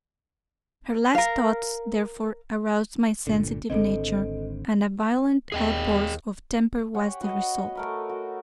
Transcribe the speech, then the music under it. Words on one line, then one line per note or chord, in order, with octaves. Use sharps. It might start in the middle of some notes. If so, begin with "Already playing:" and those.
Her last thoughts, therefore, aroused my sensitive nature, and a violent outburst of temper was the result.
A#4 F5
G1 A#2 D3
G#1 D3 C4 A4 D#5
D#2 G#4 D#5 G5
G4 C#5 F#5 G#5
F#4 B4 D#5 F#5
A3 A#4 B4
F#4